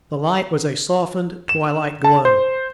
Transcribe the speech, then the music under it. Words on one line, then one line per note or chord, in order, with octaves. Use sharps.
The light was a softened twilight glow.
E7
A5
C5